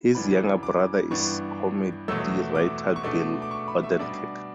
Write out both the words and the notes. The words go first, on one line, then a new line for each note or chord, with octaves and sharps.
His younger brother is comedy writer Bill Odenkirk.
F#2 C#3 E3 B3 D4 B5
D6
G2 E3 B3 D4 C#6
E2 B2 F#3 A3 E6
D6
C#6
B2 A3 D4 D6
D6
C#6
B5
E5
B2 G3 D4 D5